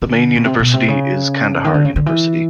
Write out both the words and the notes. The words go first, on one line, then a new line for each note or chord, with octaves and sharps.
The main university is Kandahar University.
D3
B2
C3
B2
C3
C#3
D#3
D3
C#3
D3
E3